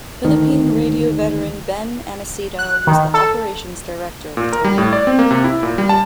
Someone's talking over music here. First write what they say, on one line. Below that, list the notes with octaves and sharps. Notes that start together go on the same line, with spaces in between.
Philippine radio veteran Ben Aniceto was the operations director at the time.
D2 D#3
F#6
D#3
A4
A#2
A#4
G3
A2
D5
C4
A#3
C3
E4
A#2
G3
A5